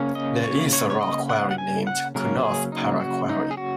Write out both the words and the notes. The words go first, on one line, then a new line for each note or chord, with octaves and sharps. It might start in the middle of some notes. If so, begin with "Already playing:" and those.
There is a rock quarry named "Kunnoth Para Quarry".
Already playing: C#3 A#3 C#4
D#5
C#5
C#5
C#5
D#5
F#5
F#5
G#5
F#5
C#3 F#3 A#3 C#4 A#4
G#4
D#4
F#4
D#4
G#4
F#4